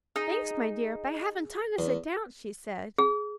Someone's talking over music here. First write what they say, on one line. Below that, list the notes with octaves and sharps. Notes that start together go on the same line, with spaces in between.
"Thanks, my dear, but I haven't time to sit down," she said.
D#4 G#4
E2
G#4